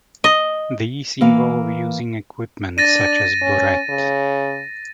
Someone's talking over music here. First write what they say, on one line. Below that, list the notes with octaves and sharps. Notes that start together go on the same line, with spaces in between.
These involve using equipment such as a burette.
D#5
E3 A#3 F5
D4 A6 A#6 D#7
C#4
C#3